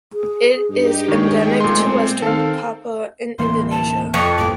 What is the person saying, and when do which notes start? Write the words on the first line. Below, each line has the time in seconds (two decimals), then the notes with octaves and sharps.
It is endemic to Western Papua in Indonesia.
0.14 G#4
0.70 G2 D#4 G4
1.08 D#3 G#3 G#4 C#5 G5
1.61 B1 A#2 A3 C4 C6
2.22 D#3 A4 F5
3.39 D1 E3 A#3 C6
3.71 A5
4.14 F2 C#6
4.38 A1 G2 A#2 D6